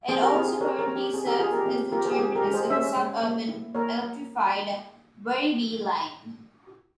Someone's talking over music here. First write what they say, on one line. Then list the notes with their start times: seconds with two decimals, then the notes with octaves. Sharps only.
It also currently serves as the terminus of the suburban electrified Werribee line.
0.08 C4 G#4 C5
0.22 G4 A#4
0.36 C4 G#4
0.48 G#4
0.61 G4 A#4 C#5
0.79 A#4 C#5
0.88 C4
0.95 G4
1.13 C4 G#4
1.26 G4 A#4
1.39 F4 G#4
1.53 G4 A#4
1.65 C4 G4
1.92 F4 G4 A#4
2.05 G#4 C5
2.11 G4
2.18 G#3 G#4
2.35 G4 A#4
2.44 G#3
2.54 G#4 C5
2.70 C#4 C5 E5
2.97 G#3
3.23 A#3
3.48 E4
3.75 A#3 A#4 C#5